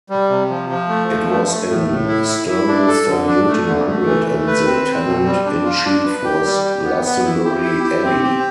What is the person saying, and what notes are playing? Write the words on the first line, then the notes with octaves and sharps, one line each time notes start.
It was in Sturminster Newton Hundred and the tenant-in-chief was Glastonbury Abbey.
G3
C3
F3
F3
A3
F3
A3
A3
A2
A2
E4
E4
E4
D4
A4
D3
D4
A3
D3
A3
E3
A3
B4
C4
C4
B2
G3
D4
F4
D4
B4
G4
G3
G4
B3
B3
E4
G4
E4
G4
C4
G4